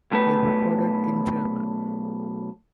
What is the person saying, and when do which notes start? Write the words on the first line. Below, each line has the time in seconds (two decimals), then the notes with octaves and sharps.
They recorded in German.
0.11 B1 A3 B4